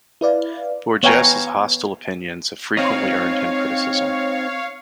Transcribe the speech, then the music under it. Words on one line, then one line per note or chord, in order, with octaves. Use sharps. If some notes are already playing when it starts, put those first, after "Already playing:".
Borges' hostile opinions have frequently earned him criticism.
E4 B4 D5 F5
B3 C#5 F5 G5 G#5 A#5
C4 D#4 C#5 F5